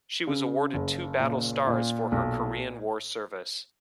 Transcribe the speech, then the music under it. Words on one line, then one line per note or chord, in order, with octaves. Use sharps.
She was awarded two battle stars for her Korean War service.
C#3
F#1
A#2
A#2
B1